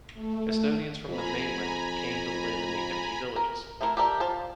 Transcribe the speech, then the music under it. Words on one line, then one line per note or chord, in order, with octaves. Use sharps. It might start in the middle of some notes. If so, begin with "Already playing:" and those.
Estonians from the mainland came to live in the empty villages.
A3
F2 G#5 A#5 B5
A#4
A3 C4 E4 A#4
G4 A4 A#4 D5
F4 C5 F5 A5